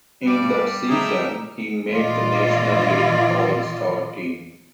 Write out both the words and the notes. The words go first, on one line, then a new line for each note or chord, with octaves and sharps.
In that season, he made the National League All-Star team.
G2 G3 B4 D5
A2 D#4 G#4 E5 G5 A#5
A#2 E3 F4 D5 D#5